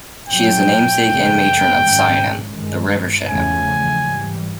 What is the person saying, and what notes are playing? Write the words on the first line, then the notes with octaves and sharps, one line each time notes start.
She is the namesake and matron of Sionainn, the River Shannon.
A#2 F#3 A#3 C#4 G5
F#2 C#3 F3 A3 C#4
G#2 D#3 G#3 C#4
G2 D#3 G#3
E2 C#3 F3 A3 C#4 G#5
G#2 E3 G3